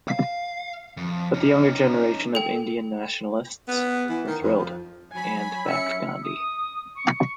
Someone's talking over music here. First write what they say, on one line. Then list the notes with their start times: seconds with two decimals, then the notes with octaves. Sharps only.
But the younger generation of Indian nationalists were thrilled, and backed Gandhi.
0.08 F5
0.97 F2
1.34 C#4 D#4
2.35 A4 G5
3.68 B3
4.09 E3
4.27 D#3
4.42 F2
4.58 F3
5.12 F#3 G#5 B5
5.66 C#4 E5 E6 C#7
6.23 D#6
6.96 C#6